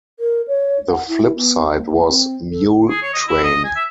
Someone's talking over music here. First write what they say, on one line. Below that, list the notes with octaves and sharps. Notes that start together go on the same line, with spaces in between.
The flip side was "Mule Train".
A#4
C#5
F#5
E4
B3
A#3
C4
A4
G#4
C#5
D#5
E4
D#5
G#5
E5